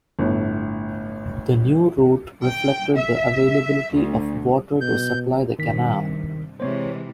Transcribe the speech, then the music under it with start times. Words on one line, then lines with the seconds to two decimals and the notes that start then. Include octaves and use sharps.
The new route reflected the availability of water to supply the canal.
0.19 G1 A2
2.45 G5
2.96 E5
3.94 D2
4.81 B2 G6
5.59 G2 C3 D#3 B6
6.60 C3 E3 G#3 C5 C#5